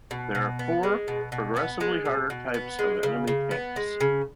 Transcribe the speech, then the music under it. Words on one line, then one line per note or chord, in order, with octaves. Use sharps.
There are four progressively harder types of enemy tanks.
B2
B2
B3
G#3
B2
B2
B3
G#3
B2
B2
B3
G#3
C#3
C#3
B3
G#3
C#3